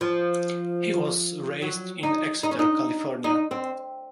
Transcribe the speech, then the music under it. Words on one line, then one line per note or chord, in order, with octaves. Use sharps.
He was raised in Exeter, California.
F3
F#3
D#4
D#4
C#4
D#4
D#4
C4